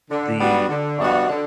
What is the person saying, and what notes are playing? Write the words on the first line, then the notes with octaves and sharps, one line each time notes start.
the, uh,
D3
G3 B3 D4 F#4
D3
G3 B3 D4 F#4
D3